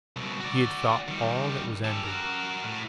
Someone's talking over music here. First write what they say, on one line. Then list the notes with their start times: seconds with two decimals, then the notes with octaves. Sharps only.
He had thought all that was ended.
0.16 C2 B2
0.40 F#4 D5
1.08 D#3 G3
1.85 G4 A4
2.04 F#4 A#4
2.64 A2